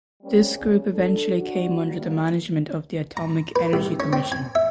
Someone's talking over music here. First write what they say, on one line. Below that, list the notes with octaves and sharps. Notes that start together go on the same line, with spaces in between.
This group eventually came under the management of the Atomic Energy Commission.
G3 A#3 C4 C#4
C#3 D5
D4 A4
D4 F#4
A2 G3 A#3
A#5
B4
C2
C#4
C4
G#5
E5